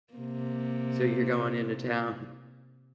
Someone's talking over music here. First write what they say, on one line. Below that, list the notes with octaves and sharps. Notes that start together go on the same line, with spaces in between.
So you're going into town
C3 A#3